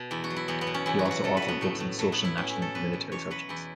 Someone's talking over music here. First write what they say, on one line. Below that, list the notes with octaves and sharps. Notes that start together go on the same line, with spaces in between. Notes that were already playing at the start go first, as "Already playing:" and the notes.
He also authored books on social-national and military subjects.
Already playing: B2
E2 E4
F#4
F#3
E4
E2 B3
B3
B2
C#4
E2 E4
F#4
F#3
F#4
F#3 A4
B4
F#3
B3
A2 A3
A2
F#3 A3
B3
F#3
E4
A2 C#4
E4
A2
A4
E2 B4
B2
E2 C#5
F#3 B4
E2 E4